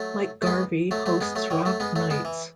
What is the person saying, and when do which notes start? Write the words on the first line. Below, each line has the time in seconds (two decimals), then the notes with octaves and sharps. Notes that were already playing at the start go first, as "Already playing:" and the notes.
Mike Garvey hosts Rock Nights.
Already playing: F#3 A3
0.42 A3
0.46 G#3 B3
0.91 F#3 A3
1.06 F#3 A3
1.21 G#3 B3
1.35 F#3 A3
1.50 D#3 F#3
1.65 F#3 A3
1.80 G#3 B3
1.96 F#3 A3
2.10 G#3 B3
2.25 E3